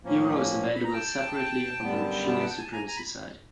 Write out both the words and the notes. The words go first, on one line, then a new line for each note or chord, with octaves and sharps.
Hero is available separately on the Machinae Supremacy site.
A2 F3 A#3 C#4
B5
A#5
G5 A5
F#2 D3 G3 B3
G5 A5
F#5
G5
G#5
A5
G#5 A#5
G#5 A#5
B5